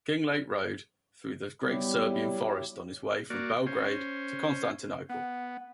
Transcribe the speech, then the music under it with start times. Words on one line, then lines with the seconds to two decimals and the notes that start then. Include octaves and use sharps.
Kinglake rode through the great Serbian forest on his way from Belgrade to Constantinople.
1.65 F#3 G3 B3 E4 G4
3.30 A#3 F#4 D5
3.66 C#4 C5
5.10 B3 F#5